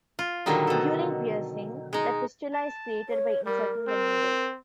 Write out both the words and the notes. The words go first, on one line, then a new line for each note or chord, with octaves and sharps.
During piercing, the fistula is created by inserting the needle.
F4
A#2 D3 D#3 F#3 G3 D#4
B2 A4
G#3 D#4
A5
C#5
G3 A#4
C4